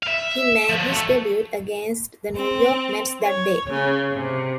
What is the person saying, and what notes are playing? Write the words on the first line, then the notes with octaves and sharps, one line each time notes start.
He made his debut against the New York Mets that day.
E5 F5
F3 F#3
A3
C4
C#5
C#3
C3